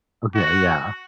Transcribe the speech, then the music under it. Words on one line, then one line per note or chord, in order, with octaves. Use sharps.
Okay, yeah.
F#4